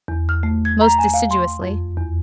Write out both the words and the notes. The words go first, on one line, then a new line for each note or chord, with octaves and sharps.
Most deciduously.
E2
F6
A3
G#6
A#5
G#5
F5
C6
F2
E2